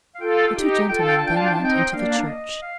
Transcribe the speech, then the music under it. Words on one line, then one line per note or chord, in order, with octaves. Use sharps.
The two gentlemen then went into the church.
F5
F4 A4 G5
D#4 G4 G5
F4 A4 G5
A5
G5
A5
D4 F4 G5
A5
G5
C4 D#4 A5
G5
A#3 D4 F5
D#5
F5